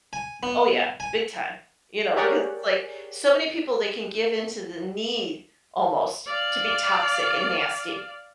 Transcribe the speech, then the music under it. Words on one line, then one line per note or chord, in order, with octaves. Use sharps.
Oh, yeah. Big time. You know, because it's like, so many people, they can give in to the need almost to be toxic and nasty.
G#5
B3
G#5
G4 G#4 A#4 C#5 D5 F#5
D5 F5